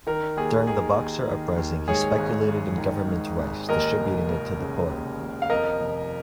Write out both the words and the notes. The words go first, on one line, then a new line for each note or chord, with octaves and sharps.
During the Boxer Uprising he speculated in government rice, distributing it to the poor.
D#3 A#4
D#2 G#4
D#3 G#4
D#2
D#3
D#2
G#2 G#4 C#5
G#1
G#1
D#3
G#2
G#1
D#2 A#4 D#5
F1
F1
C#3
D#2
F1
F5
F2 A#4 D#5
F1